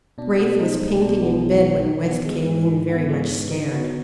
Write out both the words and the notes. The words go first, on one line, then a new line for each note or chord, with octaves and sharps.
Braith was painting in bed when West came in very much scared.
B2 D4
B3
G#3 D#4
B1
B2 D4
B3
G#3
B1
D#3
B3
G#3
G#2
D#3
B3
G#3
G#2
D3 D#4
B3 F#4